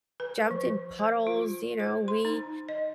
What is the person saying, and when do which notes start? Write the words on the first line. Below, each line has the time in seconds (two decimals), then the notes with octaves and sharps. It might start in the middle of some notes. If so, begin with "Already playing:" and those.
jumped in puddles, you know, we
0.20 B4
0.51 F3
0.99 C5
1.27 F4
1.80 C5
2.08 C6
2.25 D#4
2.69 D#5